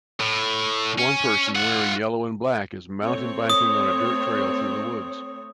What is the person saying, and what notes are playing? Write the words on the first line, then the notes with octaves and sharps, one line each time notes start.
One person wearing yellow and black is mountain biking on a dirt trail through the woods.
A2
C#4
F4 F#5
A3 C4 C#5
D#6